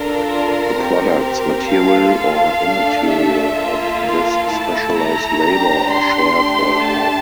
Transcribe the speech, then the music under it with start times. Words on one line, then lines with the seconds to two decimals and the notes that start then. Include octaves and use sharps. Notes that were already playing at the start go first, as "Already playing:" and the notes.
The products, material or immaterial, of this specialized labor are shared by all.
Already playing: D4 F4 A4 A#4
0.29 A#4
0.76 C4 G4
1.22 A#4
1.69 A#3 F4 A4 F5
2.16 F5
2.62 A3 D4 A4
3.09 E5
3.56 A#3 F4 A4
4.03 F5
4.50 A3 E4 A4 A5
4.97 A#5
5.43 D4 G4
5.90 C6
6.37 A3 D4 G4
6.84 A5